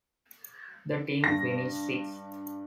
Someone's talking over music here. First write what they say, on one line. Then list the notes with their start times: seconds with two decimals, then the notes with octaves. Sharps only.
The team finished sixth.
1.24 G2 A#6